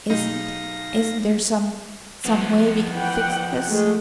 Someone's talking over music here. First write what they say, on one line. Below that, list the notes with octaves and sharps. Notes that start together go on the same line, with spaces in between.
"Isn't--isn't there some--some way we can fix this?"
B1 G#3 D#4 G4 F5 A#6
F3 B3
E3 F#5 G5
G#3 A3